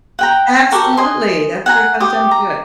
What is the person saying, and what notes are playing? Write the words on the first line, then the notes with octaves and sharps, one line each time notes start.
Absolutely, that's where it comes down to it.
F#5 G5 A#5
F#4 G4 A4 A#4
D#5 G#5 C6
F#5 G#5 A#5
G4 D#6
A#5